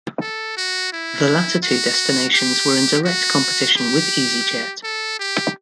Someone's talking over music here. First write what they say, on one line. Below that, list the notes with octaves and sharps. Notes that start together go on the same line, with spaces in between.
The latter two destinations were in direct competition with EasyJet.
A4
F#4
E4
F#4
G4
F#4
G4
A4
G4